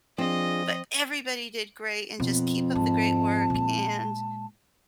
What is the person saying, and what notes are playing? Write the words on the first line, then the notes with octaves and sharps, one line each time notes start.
but everybody did great and just keep up the great work," and
F3 C4 D4 F4 G#4 D#5
F2 B2
G#2 A5
A#2 G#3